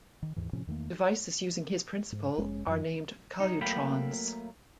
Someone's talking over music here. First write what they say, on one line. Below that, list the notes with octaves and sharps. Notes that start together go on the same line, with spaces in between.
Devices using his principle are named calutrons.
D#3
D#2 G#2 E3
A2 C3 F3 C#4
E2 D#3 A3 A#3
G#2
F1 G#3 C#4
F#2 F3
F#3 D#4
F#3 A3 A#3 G5 B5